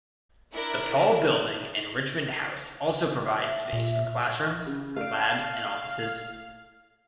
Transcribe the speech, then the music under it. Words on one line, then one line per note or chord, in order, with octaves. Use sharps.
The Paul Building and Richmond House also provide space for classrooms, labs and offices.
D4 E4 A#4
E5
A#2
C#3
A3 D5 F5 D7